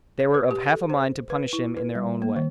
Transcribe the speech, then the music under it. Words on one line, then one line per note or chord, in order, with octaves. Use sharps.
They were of half a mind to punish him in their own way.
C#5
B4
G4
A4
C5
B4
E4
B4
G3
A#3
D#3